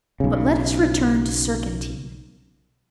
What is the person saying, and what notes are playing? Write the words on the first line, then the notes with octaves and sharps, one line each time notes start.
But let us return to Surcantine.
B1 C#3